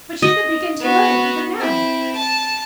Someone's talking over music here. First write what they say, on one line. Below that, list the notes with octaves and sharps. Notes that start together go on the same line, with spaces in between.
"But you could begin to learn even now!"
D#5
B3 F#4
C4 E4
A5